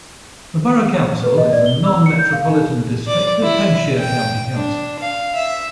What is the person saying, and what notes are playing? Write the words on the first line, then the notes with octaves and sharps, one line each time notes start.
The borough council is a Non-metropolitan district of Hampshire County Council.
B4
D#5
D5
G7
E6
C#7
G6
F5
D#4
D5
E4
G5
D4
F5
E5